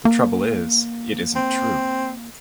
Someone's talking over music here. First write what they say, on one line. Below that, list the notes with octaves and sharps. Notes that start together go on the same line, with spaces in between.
The trouble is, it isn't true.
A#3
C4